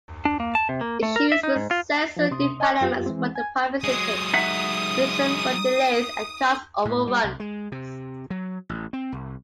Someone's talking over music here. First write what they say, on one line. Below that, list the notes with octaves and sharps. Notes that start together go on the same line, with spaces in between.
Issues with sensor developments were the primary cited reason for delays and cost-overruns.
D4
A#3
A5
C3
A#3
A3
A#4
E5
D#4
G#2
F4
F3 D5
C3 C6 D#6
D#5 G#5 A5 C#6 D6 F#6
F#2 F4 G4
E3 G#3 C4
G#5 G#6
F#3 G#3 D#6
D#4 E5 F#5
A2
G3
C2
G#3
C3
F#3
A1
C4
C2